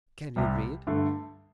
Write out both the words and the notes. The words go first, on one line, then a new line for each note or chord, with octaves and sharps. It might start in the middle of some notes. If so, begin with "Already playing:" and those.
"Can you read?"
C2 C3 G3
G2 D3 A3